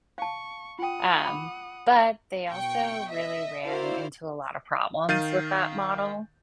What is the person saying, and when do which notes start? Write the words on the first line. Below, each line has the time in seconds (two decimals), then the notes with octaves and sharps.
um, but they also really ran into a lot of problems with that model.
0.18 F5 A5 C#6
0.79 F4 F#5 G5 D#6
1.26 B5 D6
2.50 B2 G5 C#6
3.11 D#5 E5
3.65 E4 F#4 A#4 C5 D5 F5
5.09 D#3 F5 G6 A6 D#7